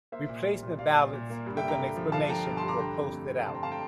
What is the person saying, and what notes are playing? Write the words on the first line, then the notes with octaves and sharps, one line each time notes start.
Replacement ballots with an explanation were posted out.
A#3 C5 E5
A#2
G3
A#2
G3 D5 F5
A#2
A#2
A#3
G2
E5 G5
D3
G5 A#5
D3
F3
D3 F5 A5
F3 G5 A#5
G2
A5 C6
G2
A#5 D6
D3 G5 A#5
F2
A3
C4
D3 A5 C6
G5 A#5
D3 F5 A5
G5 A#5